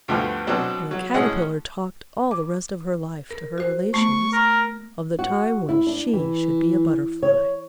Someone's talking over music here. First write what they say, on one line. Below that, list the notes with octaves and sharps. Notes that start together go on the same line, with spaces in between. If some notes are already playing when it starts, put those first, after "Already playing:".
And the Caterpillar talked all the rest of her life to her relations of the time when she should be a Butterfly.
D2 G2 D3 F3 A3 B3
B2 F#3 C4 D4
F#3
A2 G#3 C#4 G#4 F#5 F#6
D6
A#4
F#4 C5
A3 B3 C#6
A#4
F#4
E4
D4
E3
C#5